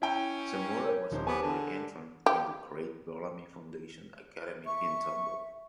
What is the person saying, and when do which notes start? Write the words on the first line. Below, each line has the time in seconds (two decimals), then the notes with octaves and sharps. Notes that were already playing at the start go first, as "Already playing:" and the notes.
Samura was an early entrant in the Craig Bellamy Foundation Academy in Tombo.
0.02 C#4 E4 G5 A#5
0.84 A#4 C#5
1.12 D#1 D#4 C5
1.27 B3 G4 G#4 G#5 D6
1.43 D3 A5
2.26 G4
4.66 E5 C#6